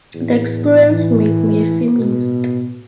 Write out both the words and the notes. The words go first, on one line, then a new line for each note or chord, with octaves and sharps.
The experience made me a feminist.
E2 A2
E3
B2